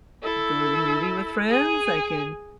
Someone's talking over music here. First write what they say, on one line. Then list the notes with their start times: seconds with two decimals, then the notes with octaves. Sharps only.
go to the movie with friends, I can
0.23 E4 A4
1.48 G#4 G#5